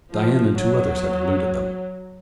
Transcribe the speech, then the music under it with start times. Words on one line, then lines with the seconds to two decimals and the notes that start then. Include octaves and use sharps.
Dian and two others had eluded them.
0.13 F3
0.57 F#3